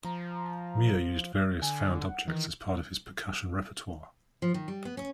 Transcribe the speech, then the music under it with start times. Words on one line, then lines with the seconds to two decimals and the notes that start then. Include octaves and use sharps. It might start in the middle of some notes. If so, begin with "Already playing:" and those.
Muir used various found objects as part of his percussion repertoire.
0.05 F3 A#5
1.62 D3 G#5
2.01 F#5
2.28 D#3 E3
4.42 F3
4.54 D#3
4.68 G3
4.85 B3
4.97 C#4